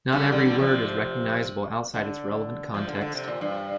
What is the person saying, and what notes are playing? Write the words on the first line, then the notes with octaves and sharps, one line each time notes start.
Not every word is recognizable outside its relevant context.
D3 G3
D3 G3
D3 G3
C3 F3
D3
C3 F3
D3
D3
C3
A#2
G2